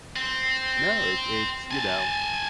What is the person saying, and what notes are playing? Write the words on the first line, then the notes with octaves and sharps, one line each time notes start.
No it it's you know,
C4
G#5 A5